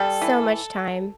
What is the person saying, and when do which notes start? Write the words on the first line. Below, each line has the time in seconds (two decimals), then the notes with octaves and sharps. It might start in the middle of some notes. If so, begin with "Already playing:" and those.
So much time.
Already playing: G3 A4
0.22 E3